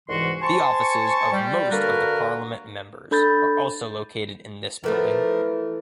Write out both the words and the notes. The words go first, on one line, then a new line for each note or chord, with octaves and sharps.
The offices of most of the parliament members are also located in this building.
C2 G#2 E3 F#4 C6
C5 G#5 A5 C#6
G3
D3 A#3 F#4 A#4 B4
D4 A4 B5 G6 A6
E3 F3 A3 B3 A#4